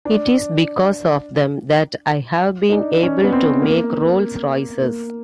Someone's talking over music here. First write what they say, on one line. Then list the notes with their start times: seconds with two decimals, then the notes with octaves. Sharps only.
It is because of them that I have been able to make Rolls Royces.
0.05 D4
2.69 D#4
2.73 D4
3.03 C#4
3.24 B3
3.32 C4
3.62 A#3
4.81 A#3